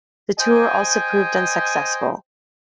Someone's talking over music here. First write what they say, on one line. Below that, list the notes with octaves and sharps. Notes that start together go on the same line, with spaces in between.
The tour also proved unsuccessful.
C5 D#5 G5 G#5